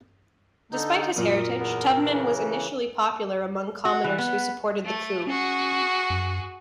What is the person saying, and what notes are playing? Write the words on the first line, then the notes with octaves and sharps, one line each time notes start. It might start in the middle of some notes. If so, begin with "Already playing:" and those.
Despite his heritage, Tubman was initially popular among commoners who supported the coup.
D3 D#4 A4 G6
F#2 A#2 A#4 D#6
E2 B3
C#3 E3
F#4
E3
B3
A3
C#4 F#4 G#4
F#2